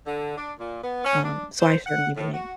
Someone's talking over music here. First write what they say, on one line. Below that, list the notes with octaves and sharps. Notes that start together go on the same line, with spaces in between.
Um, so I certainly believe
D3
D4
A#2
B3
C#4
D4
C5
F#5
A2
F#4